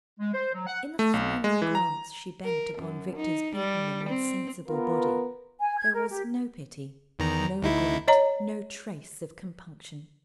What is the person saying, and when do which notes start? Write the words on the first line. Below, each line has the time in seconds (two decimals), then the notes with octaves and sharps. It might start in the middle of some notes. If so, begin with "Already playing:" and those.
In the final glance she bent upon Victor's beaten and insensible body there was no pity, no regret, no trace of compunction.
0.20 G#3
0.34 C5
0.54 F#3
0.67 F#5
0.99 A3
1.14 B1
1.44 G#3
1.62 E3
1.75 A#5
2.44 A#4
2.78 F#2
3.16 D#4
3.55 G3
4.09 C4
4.68 B3 F4 A#4 B4
5.60 G#5
5.78 G#6
5.93 A#4
6.10 G4
7.19 E2 D#3 A#5
7.62 D2 D#4 E4
8.08 C#5 D#5 A#5